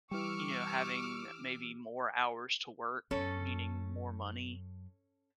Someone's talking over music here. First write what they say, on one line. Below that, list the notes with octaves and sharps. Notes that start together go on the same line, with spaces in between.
you know, having maybe more hours to work, meaning more money,
E3 G3 G4 C#6 D6 E6 F6
F#2 C#4 A4